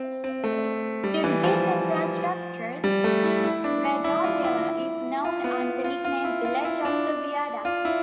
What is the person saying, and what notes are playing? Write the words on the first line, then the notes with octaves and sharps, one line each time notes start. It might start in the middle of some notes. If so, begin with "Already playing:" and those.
Due to these infrastructures Redondela is known under the nickname Village of the viaducts.
Already playing: C4
C4
A3
G3
E3
F3
G3
A3
E4
E4
D4
D4
E4
F4
E4
F4
B3
F4
F4
E4
F4
E4
D4
F4
E4